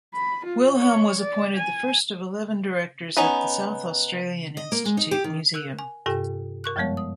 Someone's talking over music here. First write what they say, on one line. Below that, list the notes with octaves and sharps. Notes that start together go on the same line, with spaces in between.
Wilhelm was appointed the first of eleven Directors of the South Australian Institute Museum.
B5
F4
C#5
D5
G#5
B3 C#4 D#4 B4
D#5
A#3
G#3
D#4
G4
D#3
A#4 E6 F#6
G#5
G2 C3 G4 A4 G5
A#4 C#6 F#6
F#2 F3 G3 G#3 B3 C#5
D#6